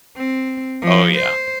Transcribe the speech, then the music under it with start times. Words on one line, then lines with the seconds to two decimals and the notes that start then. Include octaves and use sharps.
Oh, yeah.
0.17 C4
0.82 F3
1.16 C5